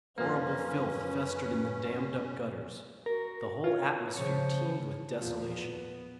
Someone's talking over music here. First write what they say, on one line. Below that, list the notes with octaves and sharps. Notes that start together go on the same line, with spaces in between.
Horrible filth festered in the dammed-up gutters. The whole atmosphere teemed with desolation.
F#2 F3 A#3 C#4 B4
F#4 A#4
F4 C#5
C#3 F3 C#5
E2 A#2 F3
B3